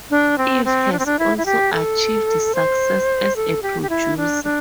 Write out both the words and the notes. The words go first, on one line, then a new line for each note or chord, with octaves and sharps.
Eve has also achieved success as a producer.
D4
C4
C4
D4
C4
D4
E4
E4
G4
A4
C5
A4
G4
G4
E4
D4
D4